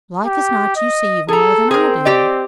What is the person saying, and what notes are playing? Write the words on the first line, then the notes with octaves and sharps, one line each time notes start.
"Like as not you see even more than I do!"
G4
D#5
G#4 A4 A#5
C4 G#4 A#4
G4 D5 D#5